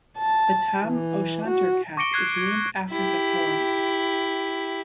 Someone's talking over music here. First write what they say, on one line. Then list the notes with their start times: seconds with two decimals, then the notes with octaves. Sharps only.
The Tam o' Shanter cap is named after the poem.
0.18 A5
0.85 E3
1.48 F#4
1.97 C#6 D6 A#6 C#7 D7 G7
2.13 F#6 G#6 C7
2.38 G#6
2.90 E4 G4